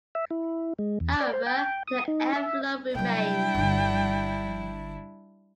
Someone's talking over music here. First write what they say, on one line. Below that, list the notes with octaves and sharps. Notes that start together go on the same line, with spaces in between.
However, the envelope remained.
E5
E4
G#3
E2
D5
C5
G5
D#6
D#4
E5
C3 F#3 G3 D4 E4 G5
G1 D3